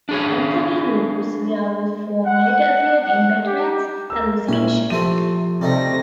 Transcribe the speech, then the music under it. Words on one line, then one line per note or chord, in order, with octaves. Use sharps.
Anthony Lupus' werewolf form later appeared in Batman's hallucination.
D4 G#4 C#5
F#5
F#5
G4
A#4 E6
A#2 C#4 E4 F#7
C3 F3 A3 C4 D#7
C3 G3 A3 D#4 A#6